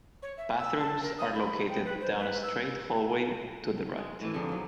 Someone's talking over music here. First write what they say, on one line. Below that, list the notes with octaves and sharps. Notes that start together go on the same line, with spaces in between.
Bathrooms are located down a straight hallway to the right.
C#5
E5
E6
A5
A#4
D#6
B5
G5
B4
C5
B4
E6
G#3
A2 E3
F2 D3 F3 G#3 D#4
F3 F#3